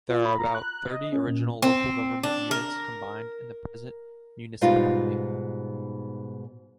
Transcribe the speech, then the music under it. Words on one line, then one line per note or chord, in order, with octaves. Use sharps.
There are about thirty original local government units combined in the present municipality.
F4
B5
A#5
F#6
D#5
C#4
A#2
C4
D4
A#4
G#2 B2 G3 D#4 F4